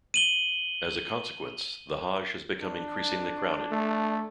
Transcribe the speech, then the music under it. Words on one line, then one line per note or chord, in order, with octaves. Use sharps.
As a consequence, the Hajj has become increasingly crowded.
D#7 F#7 G7
D4
A3